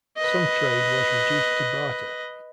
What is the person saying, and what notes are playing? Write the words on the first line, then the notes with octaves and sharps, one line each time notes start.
Some trade was reduced to barter.
B4 D#5